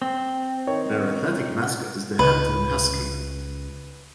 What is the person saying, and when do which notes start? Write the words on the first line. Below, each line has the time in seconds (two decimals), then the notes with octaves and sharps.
Their athletic mascot is the Hampton Husky.
0.02 C4
0.67 D#3 C#5
2.19 C#2 B4